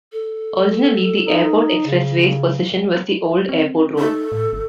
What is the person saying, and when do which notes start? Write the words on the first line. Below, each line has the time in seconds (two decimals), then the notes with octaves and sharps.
Originally, the Airport Expressway's position was the old airport road.
0.12 A4
1.27 D#4
1.86 C#3
3.49 C4
3.99 D#4 A4
4.32 A2
4.53 G1